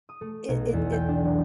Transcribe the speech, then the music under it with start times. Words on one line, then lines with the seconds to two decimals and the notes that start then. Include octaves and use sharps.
it it it
0.09 D#6
0.21 A3
0.49 B1
0.73 E2
0.92 G5
1.09 D4
1.24 F#3